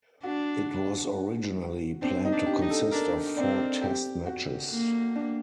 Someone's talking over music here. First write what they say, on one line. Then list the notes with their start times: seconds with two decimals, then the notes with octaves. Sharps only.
It was originally planned to consist of four Test matches.
0.23 D4 F#4
2.02 C4 D4
2.25 D#4
2.32 D4
2.46 G4
2.62 D#4
2.70 A4
2.91 D4 A#4
3.36 C4 D5
3.81 G4
4.26 F#4
4.71 A#3
5.15 D4